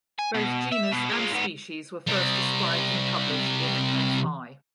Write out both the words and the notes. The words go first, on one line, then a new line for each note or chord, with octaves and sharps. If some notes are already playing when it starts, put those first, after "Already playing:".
Both genus and species were first described and published in Fl.
G#5
B2
E5
B2
G#3 F4
G#2 B3
C3 G3